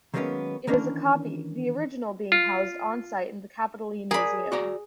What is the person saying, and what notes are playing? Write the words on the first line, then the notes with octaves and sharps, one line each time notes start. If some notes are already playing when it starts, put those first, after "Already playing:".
It is a copy, the original being housed on-site in the Capitoline museum.
D#3 F#3 G#3 A#3 B3 C#4
D#3 E3 A#3 C#4 D4
F4
G#4 A#4 D5 B5
F#4 D5 A#5